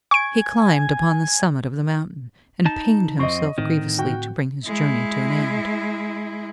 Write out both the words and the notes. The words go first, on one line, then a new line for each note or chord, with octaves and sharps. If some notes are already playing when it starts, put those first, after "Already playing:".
He climbed upon the summit of the mountain, and pained himself grievously to bring his journey to an end.
G#5 C#6 D7
D#4 A5
F2 C4 D#5 C#6
A2 D3 D#3 C4
F#4 G5
G#3 E4